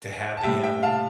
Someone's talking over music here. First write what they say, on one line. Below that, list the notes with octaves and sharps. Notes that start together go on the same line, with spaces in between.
To have the animals
A5
A2 G3 E5 G5
E5 G5
F5 A5